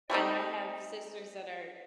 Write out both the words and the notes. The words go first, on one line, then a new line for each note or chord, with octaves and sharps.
and I have sisters that are
G3 A3 C4 D#4